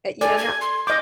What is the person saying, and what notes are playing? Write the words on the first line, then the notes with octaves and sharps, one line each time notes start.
uh, you know how
A4 D5 G#5
G#6
C6
D#5 D6 G6